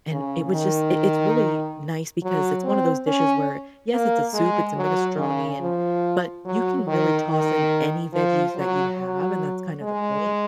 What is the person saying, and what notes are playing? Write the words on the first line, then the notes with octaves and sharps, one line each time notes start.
and it was just it it's really nice because it's one of those dishes where, yes, it's a soup, it's a minestrone, and but you can really toss in any veggies that you have, and that's kind of the point,
C#3
D#3
F#3
C4
C#4
A#3
G#3
F#3
C#3
F3
F#3
D#3
D#3
F3
F#3
F#3
G#3